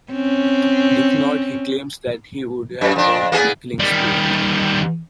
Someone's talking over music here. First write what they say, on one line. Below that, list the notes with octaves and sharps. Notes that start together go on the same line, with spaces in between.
If not, he claims that he would have gone on a killing spree.
C4 C#4
F#2
F2 D4
A#3 B3 G#4
D#3 G3